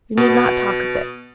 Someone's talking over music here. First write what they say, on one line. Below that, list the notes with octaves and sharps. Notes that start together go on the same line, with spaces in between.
You need not talk of this.
B2